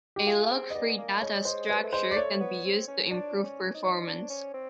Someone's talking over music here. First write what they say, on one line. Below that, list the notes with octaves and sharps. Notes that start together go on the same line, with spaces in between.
A lock-free data structure can be used to improve performance.
G4
F4 G#4
C4
D#5
B3 D5
B3
A#3
G#3 C#5
G#3 C5
G3 B4
A3
G#3 C5
D5
A3 C#5
B3
C4
C#4
D4 D5
C#4
D#4
D4
C#4
C4